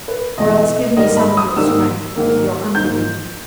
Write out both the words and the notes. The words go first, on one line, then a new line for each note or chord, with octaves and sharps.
Or else give me some of your strength--of your unbelief. . . .
B4
E2 B2 G#3 D#5
G#2 D#3 G3 A#3 D#5
B5
D#6
G#2 D#3 G3 A#3 E6
G#2 D#3 A#3
G#2 D#3 A#3 G6